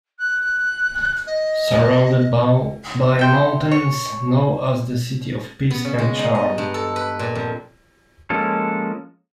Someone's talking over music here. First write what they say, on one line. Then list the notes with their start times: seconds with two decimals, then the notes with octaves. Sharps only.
Surrounded by mountains known as the city of peace and charm.
0.19 F#6
1.26 D#5
3.19 E5 G5 C6
3.71 C#5
5.70 B3
5.85 C#3
5.98 G#3
6.19 D#4
6.35 D#5
6.58 G2
6.74 A4
6.96 B4
7.19 A#2
7.35 F2
8.30 F3 G#3 A#3 C#4 A4